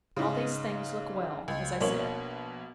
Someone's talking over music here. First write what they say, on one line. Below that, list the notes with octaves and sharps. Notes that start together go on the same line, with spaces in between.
All these things look well, as I said.
G#2 C#3
C#2
A#1 B2 A#3 C#5 F#7